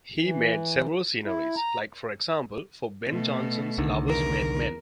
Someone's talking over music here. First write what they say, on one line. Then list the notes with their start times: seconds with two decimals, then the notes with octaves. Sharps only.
He made several sceneries, like for example for Ben Jonson's Lovers Made Men.
0.20 E3
1.24 E4
1.57 A#5
3.08 B2 A3
3.78 C2 D3 D#3
4.08 E2 A#4